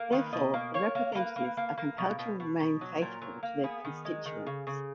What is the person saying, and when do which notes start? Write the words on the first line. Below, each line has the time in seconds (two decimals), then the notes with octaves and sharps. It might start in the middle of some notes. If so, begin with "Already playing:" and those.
Therefore, the representatives are compelled to remain faithful to their constituents.
Already playing: A#3
0.12 D#3 B4
0.33 B2 D#5
0.54 A#3
0.74 A#3 C#5
0.95 A#3
1.12 A#4
1.15 A#3 B4
1.36 A#3
1.57 A#3
1.78 A#3
1.98 B2
2.19 B2
2.40 B2
2.60 B2
2.81 F#3
3.02 A#2 A#4
3.22 F#3 A#4
3.43 A#3
3.64 B3 G#4
3.85 D#3
4.05 G#3
4.26 D#3
4.47 C#3
4.67 C#3